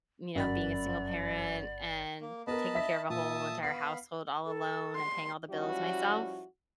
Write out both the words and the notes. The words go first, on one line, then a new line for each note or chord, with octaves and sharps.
you know, being a single parent, and taking care of a whole entire household all alone and paying all the bills myself.
G1 F#2 D5 F#5 B5
A#3
B3 A#4 D#5 A5 B5
E5 B6
A#2 E5 A5 D#6
B3 F5 B5 C7
A4
C6
F3 G3 C#4 E4 F#4